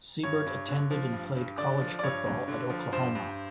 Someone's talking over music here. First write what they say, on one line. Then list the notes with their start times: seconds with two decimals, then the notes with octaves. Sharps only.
Seibert attended and played college football at Oklahoma.
0.23 G2 C#5
0.46 G2
0.68 D3
0.91 F3
1.13 G2
1.36 G2
1.58 D3 D5
1.81 F3
1.99 D5
2.03 G2 C#5
2.26 G2
2.48 D3
2.70 F3
2.92 G2 C5
3.15 G2